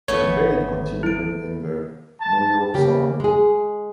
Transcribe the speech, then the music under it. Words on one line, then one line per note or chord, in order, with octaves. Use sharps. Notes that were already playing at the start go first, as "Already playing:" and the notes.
The debate continued in the "New York Sun".
G#1 A3 B3 G#4 C#5
E4 D7
A5
C#3 A#3 G4
G#3 G#4